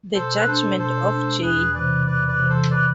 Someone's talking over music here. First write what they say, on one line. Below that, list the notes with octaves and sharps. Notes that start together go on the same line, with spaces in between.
The judgment of J.
B2 A4 C5
B4
G#3 D4 A4 C5
B2 A4 C5
G#3 D4
E2 G#4 B4
C3 E3 B4 D5
E2 B4 D5
B4 D5
C3 E3
A4 C5
B4 D5